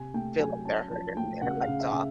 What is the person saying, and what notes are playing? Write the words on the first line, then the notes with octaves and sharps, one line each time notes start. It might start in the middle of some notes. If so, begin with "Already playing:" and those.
feel like they're hurt and and the lights off.
Already playing: C3 G#5
A3 G5
F#3 G#5
C#4 A5
F3 A5
A3 G5
C#3 F#5
F5
C#3
E5
C#3